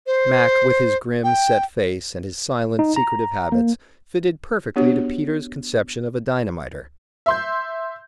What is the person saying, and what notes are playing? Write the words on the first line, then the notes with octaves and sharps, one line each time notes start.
"Mac," with his grim, set face and his silent, secretive habits, fitted perfectly to Peter's conception of a dynamiter.
C5
G5
D#4
A#5
A#3
B3 D4 F#4 G4 C#5
E5 C6 G6